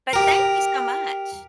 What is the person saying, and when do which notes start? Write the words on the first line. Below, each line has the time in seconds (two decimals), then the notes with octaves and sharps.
but thank you so much.
0.13 G4 A#4